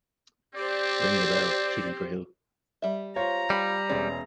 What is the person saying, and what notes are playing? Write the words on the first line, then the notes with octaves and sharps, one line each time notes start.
Ring the bell, Kitty, for Hill.
C4 G4 C5 D5
G3 E5
F4 C5 C#5 A#5
G3 G5 B5
E1 C4 C#4 G#4 D5